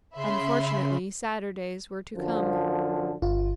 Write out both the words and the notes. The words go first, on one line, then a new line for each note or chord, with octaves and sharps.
Unfortunately sadder days were to come.
C#3 E5 B5 C6
F#2 D3 F3
G1 F4